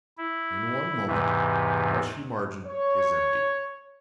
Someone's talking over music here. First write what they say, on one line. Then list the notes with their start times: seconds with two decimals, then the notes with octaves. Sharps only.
In one moment the rushy margin is empty.
0.17 E4
1.07 E2 G#2 C3 E3
2.65 C#5